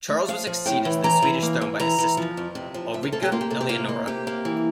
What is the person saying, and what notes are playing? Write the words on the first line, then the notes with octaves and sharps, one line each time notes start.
Charles was succeeded to the Swedish throne by his sister, Ulrika Eleonora.
A3
F3 F5
F3
A2 G5
E3
E3 A#5
E3
A#3
E3
E3 A#5
E3
F3
F2
C3
F3
C3 E5
A#4
A#3 A4
G4
A#3 F4
G4
C3 A4
G4
A#3 F4
A#3
C3 G4
A#3
E3